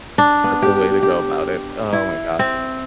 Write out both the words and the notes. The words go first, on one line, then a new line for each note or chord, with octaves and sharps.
that's the way to go about it. Oh my gosh.
D4
B3
G4
G4
E4
C4